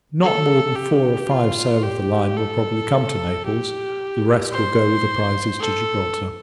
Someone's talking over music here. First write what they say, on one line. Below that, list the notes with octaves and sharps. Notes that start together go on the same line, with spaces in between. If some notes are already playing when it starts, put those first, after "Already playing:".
Not more than four or five sail of the line will probably come to Naples; the rest will go with the prizes to Gibraltar.
A4
G4
F4
G4
A4
G4
C5
A4